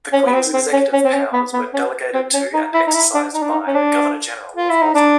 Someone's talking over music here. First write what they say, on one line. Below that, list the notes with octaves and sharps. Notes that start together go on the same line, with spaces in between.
The Queen's executive powers were delegated to and exercised by the Governor-General of Malta.
C#4
B3
C4
C4
C#4
C#4
C4
C#4
B3
B3
C#4
C4
C#4
D#4
E4
D#4
E4
D4
D#4
D4
D#4
C#4
D4
F4
E4
D#4
D4